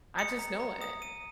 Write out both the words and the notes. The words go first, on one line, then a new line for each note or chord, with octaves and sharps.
I just know it.
D#6 C#7
A#5
A#5
D#6
D#6 D#7